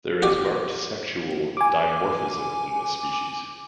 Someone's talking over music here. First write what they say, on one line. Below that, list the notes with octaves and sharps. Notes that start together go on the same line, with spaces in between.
There is marked sexual dimorphism in this species.
F#4 G4 D5 D6
G#5 D6